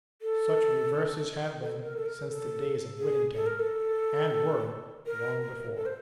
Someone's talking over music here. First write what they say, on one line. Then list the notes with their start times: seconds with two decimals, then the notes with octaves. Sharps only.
Such reverses have been, since the days of Whittington; and were, long before.
0.22 A4
1.61 A4
1.83 A#4
1.96 A4
2.06 A#4
2.29 A4
2.98 G#4
3.34 A4
3.46 A#4
3.59 A4
5.06 A#4
5.42 A#4
5.76 A4
5.86 C5